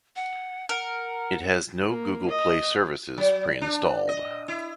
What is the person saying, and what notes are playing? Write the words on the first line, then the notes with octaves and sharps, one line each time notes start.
It has no Google Play Services preinstalled.
F#5
A#4 F#5
A#3
D#5
F#3
D4
D#5
E4